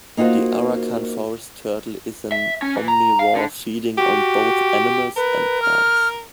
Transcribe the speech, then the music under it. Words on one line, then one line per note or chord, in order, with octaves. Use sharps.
The Arakan forest turtle is an omnivore, feeding on both animals and plants.
A#3 D#4 F4 F#4 C5
E5
C#4
E3
A#5
F5
D3
F#4 G4
A#4 B4
F6